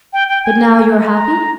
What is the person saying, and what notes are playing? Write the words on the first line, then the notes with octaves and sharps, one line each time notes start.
"But now you are happy?"
G5
G5
G#5
G#5
A#5